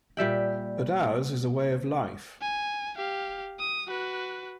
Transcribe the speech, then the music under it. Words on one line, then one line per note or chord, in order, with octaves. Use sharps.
But ours is a way of life.
A#2 G3 E5 G5
G#5
G4 F5
D#6
F#4 B4